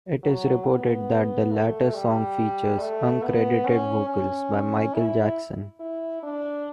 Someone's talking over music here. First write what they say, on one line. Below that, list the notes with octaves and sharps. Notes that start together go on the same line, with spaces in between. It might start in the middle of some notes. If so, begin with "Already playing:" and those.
It is reported that the latter song features uncredited vocals by Michael Jackson.
F#3
B3
A3
G3
A3
B3
C#4
C#4
E4
E4
D4